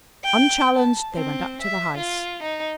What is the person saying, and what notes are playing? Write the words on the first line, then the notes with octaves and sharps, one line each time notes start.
Unchallenged they went up to the house.
G5
A5
C4
E5
F4
D#4